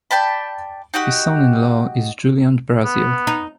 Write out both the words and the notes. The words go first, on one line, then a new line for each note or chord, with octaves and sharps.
His son-in-law is Julian Brazier.
D5 G5 A5 B5
D#4 F#4 G4 F#5
B3
D#4